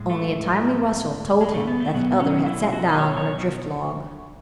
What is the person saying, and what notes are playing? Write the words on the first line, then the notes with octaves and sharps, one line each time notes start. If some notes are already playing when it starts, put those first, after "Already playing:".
Only a timely rustle told him that the other had sat down on a drift log.
Already playing: A2 G#3
A3
G#3
A3
B3
A3
B2 F#3 B3
C#4
E4
F#4
D#5
C#5
C#5